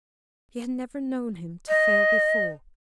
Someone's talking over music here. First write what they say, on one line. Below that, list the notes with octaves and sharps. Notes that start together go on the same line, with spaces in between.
She had never known him to fail before.
D#5